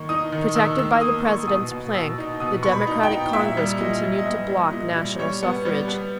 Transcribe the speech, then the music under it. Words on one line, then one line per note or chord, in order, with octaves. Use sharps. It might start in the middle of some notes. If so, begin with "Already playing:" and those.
Protected by the President's plank, the Democratic Congress continued to block national suffrage.
Already playing: D#3 A#3 C#6
D#4 D#6
D#3
D#3 E6
D#3 E6
A#3 D#6
A#3 C#6
B2 D#6
B2
B2 E6
D#4
B2 D#6
B2 C#6
B5
D#4
G5
D#4
A#2 E5
G3
A#2 D#5
G3
D#5
B3 E5
G3
A#2 D#5
G3
G3 C#5
B3
G3
B3